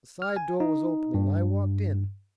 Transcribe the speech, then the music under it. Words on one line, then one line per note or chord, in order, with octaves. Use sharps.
The side door was open and I walked in.
F6
G#5
D#4
G2